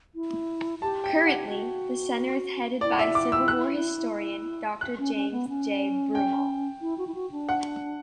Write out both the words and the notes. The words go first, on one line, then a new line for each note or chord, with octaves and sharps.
Currently the center is headed by Civil War historian Doctor James J. Broomall.
E4
G4 A5
G5
G4
F#5
F#4
E4 D5
F#5
E5
D6
E6
F#6
F#6
C#4
C#4
B3
C#4
G5
E4
F#4
E4
F#4
D4
F#5